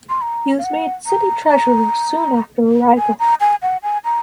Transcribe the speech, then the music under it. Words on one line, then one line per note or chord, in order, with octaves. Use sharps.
He was made city treasurer soon after arrival.
C6
A#5
F5
F#5
A#5
A#5
G#5
A#5
G#5
F#5
G#5
A#5